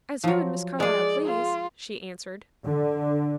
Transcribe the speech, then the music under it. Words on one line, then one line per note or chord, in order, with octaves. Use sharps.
"As you and Miss Carlyle please," she answered.
F3 F#3
G#3 G#4 D5
F4
D3